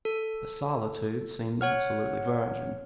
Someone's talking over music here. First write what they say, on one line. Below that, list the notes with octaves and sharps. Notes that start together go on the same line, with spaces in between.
The solitude seemed absolutely virgin.
A4
C#5 F#5 F6